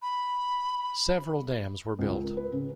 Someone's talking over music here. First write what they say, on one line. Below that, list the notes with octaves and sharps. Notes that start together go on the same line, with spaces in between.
Several dams were built.
B5
C#2
A#4
B4
C#3